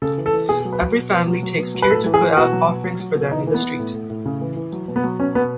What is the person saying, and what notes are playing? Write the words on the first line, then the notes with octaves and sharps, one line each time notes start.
Every family takes care to put out offerings for them in the street.
C#3 A4
E3
A4
E3
B2 G#4
F#3
B4
F#3
B2
B2
F#3
F#3
B2
F#3
B4
A2 A4
E3
G#4
E3
B2 F#4
F#3
B2
F#3
F#3
B2
E3 D#4
E3
B3
E3
A2
A2
A2
C#3
E3
E3
F#3
B2
B3
F#3
B2 C#4
B2 B3